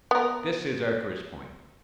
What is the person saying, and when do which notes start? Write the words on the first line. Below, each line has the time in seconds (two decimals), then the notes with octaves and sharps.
This is our first point.
0.11 B3 A#4